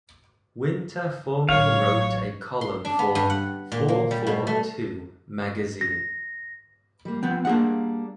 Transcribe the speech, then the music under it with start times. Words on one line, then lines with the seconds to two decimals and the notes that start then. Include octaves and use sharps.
Winter formerly wrote a column for "Four Four Two" magazine.
1.49 A1 F#3 C#5 F5
2.61 C6
2.85 D4
2.99 B3
3.15 G2
3.30 F#5
3.72 A#2
3.88 A#3
4.11 G3
4.27 B2
4.47 A3
5.81 A#6
7.05 G3 A#3
7.23 F3 B3 C4
7.45 G3 A#3 D4 G#4 F#5